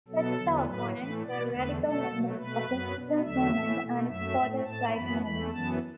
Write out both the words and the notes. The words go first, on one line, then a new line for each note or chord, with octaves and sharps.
Particular opponents were radical members of the students' movement and squatters' rights movement.
B2 F#3 B3 A4
E2 D3 F#3 B3
A2 F#3 A3 B4
A2 E3 A3 B4
B2 B3 D5
E2 D3 A3 B4
B2 F#3 A3 A4
B2 F#3 A3
B2 A3 B4
F#2 F#3 B3
B2 B3
E2 D3 F#3 A3 E5
A2 E3 A3
B2 A3
F#2 F#3 A3 E5
A2 A3
A2 A3 A5
F#2 E3 B3 B5
E2 E3 A3 B5
F#2 E3 B3 A5